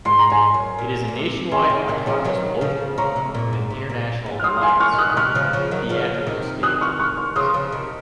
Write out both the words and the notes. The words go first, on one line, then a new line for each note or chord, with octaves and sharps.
It is a nationwide autonomous Local of the International Alliance of Theatrical Stage Employees.
G#2 C6
A#5
G#2 G#5 C6
F#2
A#2
A#2
C3
C#3 G#5 C6
C#3
C3 D#3
C#3 F3
D#3 F#3
C#3 F3
C#3 A#5 C#6
C3
A#2
G#2
C3
A#2
G#2
F6
F#2 C6 D#6
G#5 C6
F#2
C#6 F6
C3 D#3
D#6 F#6
F#6
C3 D#3 C#6 F6
C#3 F3
C#3 F3
D#3 F#3
C#3 F3
C3 D#3
D#6 F#6
C#6 F6
C#6 F6
C#6 F6
C#3 F3 C6 D#6
C#3 F3
C3 D#3